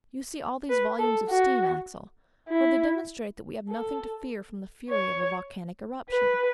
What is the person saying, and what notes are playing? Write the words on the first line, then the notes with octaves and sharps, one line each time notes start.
"You see all these volumes of steam, Axel; well, they demonstrate that we have nothing to fear from the fury of a volcanic eruption."
B4
A4
F#4
E4
A4
C#5
B4